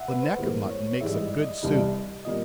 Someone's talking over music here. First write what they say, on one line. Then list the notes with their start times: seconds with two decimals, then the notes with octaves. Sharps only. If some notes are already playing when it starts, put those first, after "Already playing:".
The neck of mutton makes a good soup.
Already playing: E5 F#5
0.08 B4
0.23 C5
0.38 G#2 E3 G3 A#3
0.70 C#5
1.01 G#2 E3 G3 E5
1.14 D#5
1.27 D5
1.40 D#5
1.63 C2 C3 E3 G3
2.25 A#2 G3 A#3 D#5